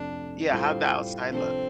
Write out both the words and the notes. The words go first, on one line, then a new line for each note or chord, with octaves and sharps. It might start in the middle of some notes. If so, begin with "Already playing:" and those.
Yeah, how'd the outside look?
Already playing: F2 C3 A3 D4
A2 G3 C4 F4 A4
C3 F3 C4 D4 A4